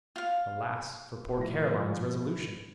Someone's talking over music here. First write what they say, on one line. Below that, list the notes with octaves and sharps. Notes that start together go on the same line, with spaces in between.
Alas for poor Caroline's resolution!
F4 F5
A2 F3 A#6